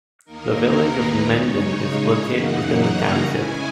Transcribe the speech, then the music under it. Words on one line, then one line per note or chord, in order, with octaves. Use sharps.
The Village of Mendon is located within the township.
D#2 D#3 A#3 D#4 A#4
B4
C#3 G#3 D#4 C#5
F#2 C#3 E3 A#3 D#4 F#5
A#5
C#3 G#3 C#4 E4 G#5